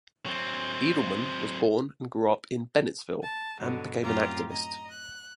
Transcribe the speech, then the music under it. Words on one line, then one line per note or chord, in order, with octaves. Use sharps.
Edelman was born and grew up in Bennettsville, and became an activist.
F#3 C4
A5
G2 B2 D3 F#3
F#2 A2 C4 F4 G4 A#5
D#5 A#5
F#6